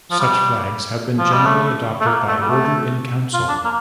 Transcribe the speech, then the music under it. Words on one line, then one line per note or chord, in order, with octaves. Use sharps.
Such flags have generally been adopted by Order in Council.
F3
G3
F3
G3
A3
A3
A#3
A3
G3
A3
F4
D4
A#3